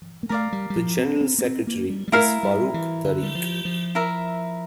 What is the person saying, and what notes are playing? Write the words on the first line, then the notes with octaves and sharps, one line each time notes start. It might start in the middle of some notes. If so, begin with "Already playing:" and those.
The General Secretary is Farooq Tariq.
A#3
A3 A#4 D5 F5
G3
G3
F3
C4
C4
A#3
C4
A#3
G3
G3
A3 E4 A#4 F5
G3
E3
D3
G3
F3
F3
E4 A#4 E5